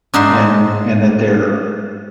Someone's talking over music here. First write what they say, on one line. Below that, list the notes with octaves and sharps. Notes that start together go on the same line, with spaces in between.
and and that they're
G#2 D4 D#4 E5 A5 C6